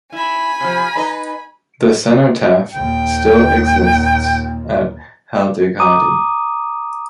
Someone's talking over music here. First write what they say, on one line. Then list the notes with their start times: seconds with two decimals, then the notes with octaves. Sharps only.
The cenotaph still exists at Haldighati.
0.12 E4 G#5 B5
0.61 C3 F3
0.96 D#4 B4 D#5
2.74 D#2 A#2 G5
5.80 A#5 D6 D#6 D#7